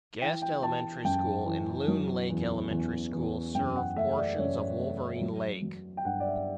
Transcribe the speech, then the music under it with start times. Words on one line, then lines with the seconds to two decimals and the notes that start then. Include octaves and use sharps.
Guest Elementary School and Loon Lake Elementary School serve portions of Wolverine Lake.
0.21 E3 G5
0.42 G5
0.63 E3 A5
1.04 F#2 G5
1.46 E3
1.88 F#3
2.30 E2
2.71 E2
3.12 E2
3.55 F#2 G5
3.76 F#5
3.96 A3 E5
4.18 D5
4.38 F#2 C#5
4.79 A3
5.21 F#3
5.62 F#3
5.97 G5
6.05 G2 F#5
6.20 D5
6.25 E5